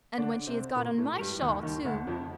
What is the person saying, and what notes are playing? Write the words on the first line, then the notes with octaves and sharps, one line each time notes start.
And when she has got on my shawl, too!
D3 D4
C3 C4
A#2 A#3
A2 A3
G2 G3
D#2 D#3
D#2 D#3
D2 D3
F2 F3